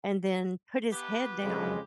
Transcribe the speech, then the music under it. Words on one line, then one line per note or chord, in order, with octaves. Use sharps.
and then put his head down
B3 G4 B4
F2 C#3 G#3